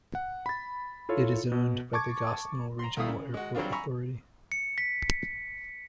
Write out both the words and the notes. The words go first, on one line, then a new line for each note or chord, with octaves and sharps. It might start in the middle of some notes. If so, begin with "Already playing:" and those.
It is owned by the Gosnell Regional Airport Authority.
F#5
B5 A6
E4 F4 A4 C#5
B2
A5 C#6 D6 G#6
A#5 C6
C2 A2 A3 E4 F5 D#6
C#3
G#3 F#4
F#3 G3 C4 D4 F4
G#5 A#5 B5 C#6 E6
C#7
B6